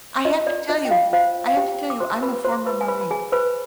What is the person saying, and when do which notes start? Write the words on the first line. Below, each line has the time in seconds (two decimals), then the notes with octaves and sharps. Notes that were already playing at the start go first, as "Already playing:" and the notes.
I have to tell you I have to tell you, I'm a former Marine.
0.25 F4 D#5
0.47 D5
0.69 F4 D#5
0.85 G5
0.91 F4 F5
1.13 F4 C5 F5
1.47 F5
1.57 G4 C5 G5
1.90 D6
2.00 F4 C5 C6
2.23 B4 B5
2.44 F4 C5 C6
2.67 B4 B5
2.81 G#5
2.88 B4 C5 B5
3.01 B5
3.11 G#4 G#5
3.32 B4 C5 B5